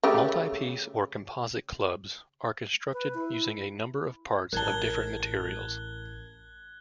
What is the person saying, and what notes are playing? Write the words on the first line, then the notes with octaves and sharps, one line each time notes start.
Multi-piece or composite clubs are constructed using a number of parts of different materials.
C#3 A3 G4
B4
E4
A1 A#4 A5 F#6 G#6 G7